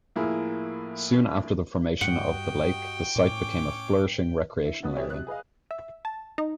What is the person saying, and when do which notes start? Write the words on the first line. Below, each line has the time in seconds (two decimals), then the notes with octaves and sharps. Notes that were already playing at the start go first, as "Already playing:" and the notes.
Soon after the formation of the lake, the site became a flourishing recreational area.
0.16 A2 F3 A#3 E4 G#4
2.01 G2 G3 F#4 G4 D#5 F#5 G5
3.16 A2 C#4 C#6 D6
4.65 E4
4.83 D2 B3 F#4 D#6
4.97 E3 G3 G4 C#5 E5
5.10 C3 F#3 F#6
5.27 G#4 B4 D#5 F5
5.71 E5
6.05 A5
6.38 D#4